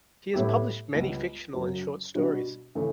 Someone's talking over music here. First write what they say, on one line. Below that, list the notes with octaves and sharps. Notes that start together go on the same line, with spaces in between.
He has published many fictional and short stories.
A2 G3 B3 E4 G4
C#2 C#3 G3 B3
F#2 C#3 F#3
B2 G3 D4 F#4
C#3 E3 A3